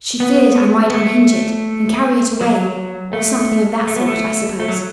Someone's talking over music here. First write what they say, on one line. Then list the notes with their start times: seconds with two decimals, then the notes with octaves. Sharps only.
She feared I might unhinge it and carry it away, or something of that sort, I suppose.
0.20 B3
0.90 B3
0.94 A3
2.41 F#3
3.13 A3
3.87 A3
3.96 B3
4.06 A3
4.60 A3
4.68 F#3